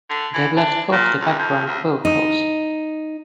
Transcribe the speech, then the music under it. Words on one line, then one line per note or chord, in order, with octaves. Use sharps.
They've left off the background vocals!
D3
E3
D4
A#2
C#2
F2
D2
D#4